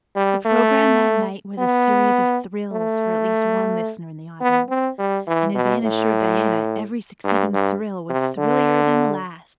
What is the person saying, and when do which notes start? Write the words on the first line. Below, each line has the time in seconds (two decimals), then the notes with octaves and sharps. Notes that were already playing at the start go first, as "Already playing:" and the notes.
The program that night was a series of "thrills" for at least one listener in the audience, and, as Anne assured Diana, every succeeding thrill was thrillier than the last.
0.16 G3
0.45 A3
1.59 B3
2.72 A3
4.41 B3
4.69 C4
4.99 G3
5.27 E3
5.55 B2
5.83 A2
7.24 G2
7.53 G2
8.10 C3
8.38 D3